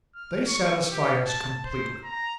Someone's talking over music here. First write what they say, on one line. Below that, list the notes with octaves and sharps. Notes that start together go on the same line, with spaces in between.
They satisfy us completely.
F6
C#6
G4
A5
C5
A#5